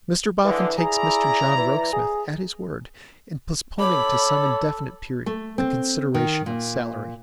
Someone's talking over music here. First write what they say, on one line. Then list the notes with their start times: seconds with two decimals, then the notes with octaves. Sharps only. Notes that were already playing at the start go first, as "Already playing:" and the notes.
Mr Boffin takes Mr John Rokesmith at his word, in postponing to some indefinite period, the consideration of salary.
0.45 D3 E3 G#3
0.78 E4 G#4 D5 A#5
1.58 E3
1.93 G#4
3.80 A4 C#5 B5 D6
5.26 A3
5.58 C4
6.14 D#3
6.46 A#2